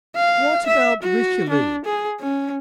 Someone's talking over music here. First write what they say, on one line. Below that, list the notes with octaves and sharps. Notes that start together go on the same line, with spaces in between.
"What about Richelieu?"
F5
E5
F#4
D4
G#4
C#4